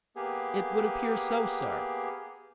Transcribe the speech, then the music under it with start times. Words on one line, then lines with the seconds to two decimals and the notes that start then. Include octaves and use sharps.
"It would appear so, sir."
0.16 A#3 B3 G4 G#4